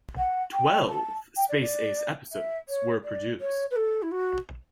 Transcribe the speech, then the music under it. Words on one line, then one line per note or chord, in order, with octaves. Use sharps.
Twelve "Space Ace" episodes were produced.
F#5
G5
A5
G5
D5
D5
E5
C#5
D5
C#5
B4
A4
E4
F#4